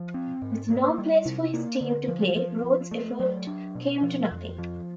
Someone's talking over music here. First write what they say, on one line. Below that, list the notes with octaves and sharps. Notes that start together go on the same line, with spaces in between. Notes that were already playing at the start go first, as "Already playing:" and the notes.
With no place for his team to play, Rhodes' effort came to nothing.
Already playing: F3
C4
G#2
A#3
G3
C3
A#3
D3
F3
F3
F3
A3
F#3
D4
B2
F3
F2
F3